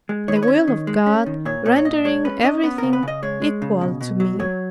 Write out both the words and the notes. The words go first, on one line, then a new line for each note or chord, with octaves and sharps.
The will of God rendering everything equal to me.
G#3
D#3 C#5
B4
C#5
C#4
D#3
G#3
C#4
D#3
A#2 C#5
A#2 C#5
C#5
A#2 D#5
G#3 C#5
C#4 B4
C#4 D#5
B3 B4
C#3 A#4
B4
C#3 D#5
G#3 C#5
G#3
C#3
B2
B2
F#3
F#3 C#5